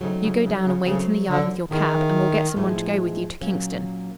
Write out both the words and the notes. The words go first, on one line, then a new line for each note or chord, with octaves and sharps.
You go down and wait in the yard with your cab, and we'll get some one to go with you to Kingston.
C#3 F#3 A3 C4 D#4
C#3
C#3
C#3
C#3 F#3 A3 C4
D3
D#3 B3 E4 G#4
A2 F3 G#3 B3 D#4
A#2 F#3 A#3 C#4